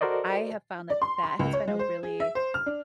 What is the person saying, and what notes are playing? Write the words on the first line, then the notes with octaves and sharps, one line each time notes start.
I have found that that has been a really
F#4 A4 A#4 C5 D5 D#5
D5
C6
C6
C#2
C#5
G#3
C5
G#4
E5
C5
F6
D4